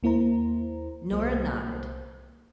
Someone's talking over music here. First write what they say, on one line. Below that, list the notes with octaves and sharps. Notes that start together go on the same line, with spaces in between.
Nora nodded.
D#2 A#3 E4 C5 A#5
C2 A#3 C5